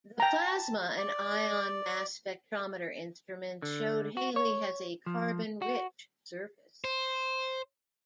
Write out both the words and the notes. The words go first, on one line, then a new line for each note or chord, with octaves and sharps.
The plasma and ion mass spectrometer instruments showed Halley has a carbon-rich surface.
G5 A5 A#5
D5
D3
F#4
C#5
F3
F#4
C5